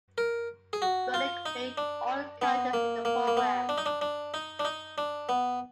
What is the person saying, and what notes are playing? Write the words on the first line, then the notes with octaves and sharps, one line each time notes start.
Burdick played all characters in the program.
A#4
G#4
F#4
F4
D#4
D4
B3
A#3
A#3
A#3
B3
D4
D#4
D4
D4
D#4
D4
D#4
D4
B3